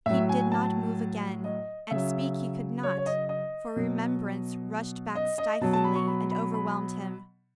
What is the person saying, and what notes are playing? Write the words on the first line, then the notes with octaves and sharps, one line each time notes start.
He did not move again, and speak he could not, for remembrance rushed back stiflingly and overwhelmed him.
A2 F#3 E5
G#5
A5
D#5
C#3 F#3 E5
C#5
C#5
D#5
D#5
B2 F#3
D#5
D#5
B2 F#3 A5
A5
B5
C#6
B5
B5
B5